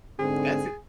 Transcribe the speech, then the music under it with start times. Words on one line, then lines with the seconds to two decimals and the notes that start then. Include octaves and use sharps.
that's i
0.19 G#2 D3 C4 G#4